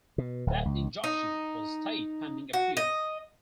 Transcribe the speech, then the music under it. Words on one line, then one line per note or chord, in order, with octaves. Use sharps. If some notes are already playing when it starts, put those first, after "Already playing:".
That injunction was stayed pending appeal.
B2
D1
C#2
D#4
F#4
D#5